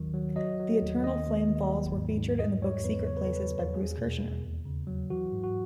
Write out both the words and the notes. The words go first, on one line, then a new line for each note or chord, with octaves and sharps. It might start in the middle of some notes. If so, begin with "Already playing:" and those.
The Eternal Flame Falls were featured in the book "Secret Places" by Bruce Kershner.
Already playing: D#2 D#3 F#3
F#3
F#3 D#5
F#3
D#2
D#2 D#5
D#2
D#2
F#3
G#2
G#2
E2 D#5
F#3 C#5
E2 B4
C#3 C#5
B4
F#3 A4
B4
D#2
E2 G#4
B2
E2
D#2
C#3
F#3
E3 F#4
G#2
F#4